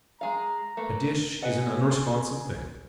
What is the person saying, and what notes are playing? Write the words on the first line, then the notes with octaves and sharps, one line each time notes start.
A dish is an unresponsive thing.
G#3 G#4 F5 A#5
A3 A#3 B4
G#4 B4 D#5 F#5
C4 A4